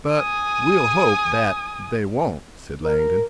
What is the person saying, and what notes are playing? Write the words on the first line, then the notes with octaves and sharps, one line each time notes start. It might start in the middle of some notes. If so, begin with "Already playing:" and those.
"But we'll hope that they won't," said Langdon.
G#5 D#6
A#4